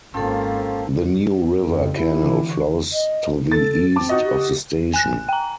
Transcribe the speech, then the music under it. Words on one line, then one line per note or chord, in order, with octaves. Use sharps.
The New River canal flows to the east of the station.
G#1 F3 A#3 C4 C#4 A4
F2
E4
D3 E3
C#6 F#6
D#5
A4 A6
C4 A5 D6
D#4 F#4 D#5
G4
G#5 F#6
G5 A#5